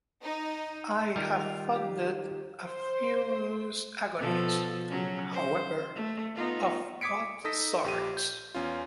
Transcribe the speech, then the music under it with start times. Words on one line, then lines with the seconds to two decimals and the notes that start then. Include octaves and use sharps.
I have funded a few loose agonies, however, of both sorts.
0.23 D#4
1.16 D#3 G3 F4 A#4
1.75 G4
2.66 C5
4.19 B2 F3 A4
4.89 C#3 F#3 C#4
5.32 C5
5.95 A3
6.35 B3 D#4 F4
7.01 D6 D#6 G#6 B6 C#7 D7
7.44 D#4 A4 D#6 A#6 B6
7.84 A#1 G4 D#7
8.17 G6
8.55 E2 C#4 F4